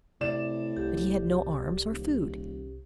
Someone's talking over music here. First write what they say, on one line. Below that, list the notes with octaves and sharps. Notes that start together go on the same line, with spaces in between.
But he had no arms or food.
A2 C3 D5 E7
C2 G4
D#1